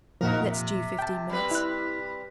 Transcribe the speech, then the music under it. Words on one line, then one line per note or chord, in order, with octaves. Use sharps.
Let stew fifteen minutes.
F2 A#2 F3 D#4 F#4 A#4
C3
G5 A5
G3 C4 B4
E4 F#6